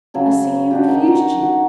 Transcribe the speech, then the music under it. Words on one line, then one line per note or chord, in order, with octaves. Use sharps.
"I see he refused you."
C#3 F#3 A5
D4 F#4 G4
D#3 D#4
F#4 A#5
F#4